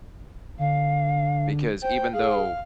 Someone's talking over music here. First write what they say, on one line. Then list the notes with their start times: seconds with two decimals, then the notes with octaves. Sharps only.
because even though
0.59 D3 F5
1.82 C5 G5
2.13 G#4 F5